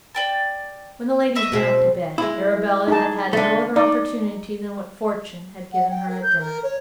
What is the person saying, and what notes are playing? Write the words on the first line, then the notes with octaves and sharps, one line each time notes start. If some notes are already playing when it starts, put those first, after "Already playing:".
When the ladies went up to bed Arabella had had no other opportunity than what Fortune had given her at dinner.
D5 G5 A5
D#5 E5 C#6
B2 G#3 C4
G#3 E4
D#4 G#4 A5
D3 A3
D#4 D5
F#5
G5
A#4
G6
A#4
C#5